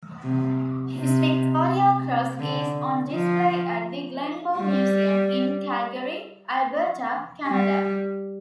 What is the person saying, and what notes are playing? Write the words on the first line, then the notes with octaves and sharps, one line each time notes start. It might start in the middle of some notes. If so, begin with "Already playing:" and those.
His Victoria Cross is on display at the Glenbow Museum in Calgary, Alberta, Canada.
C3
C3
D3
F3
G3
G3